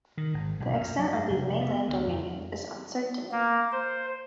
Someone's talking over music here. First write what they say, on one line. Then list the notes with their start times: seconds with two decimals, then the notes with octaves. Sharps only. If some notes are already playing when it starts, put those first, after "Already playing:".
The extent of these mainland dominions is uncertain.
0.17 D#3
0.34 G#1
0.60 B1
0.74 F#2
0.99 F#3
1.12 G2
1.30 F1
1.61 B3
1.88 D2
2.07 F2
3.32 A#3
3.72 C5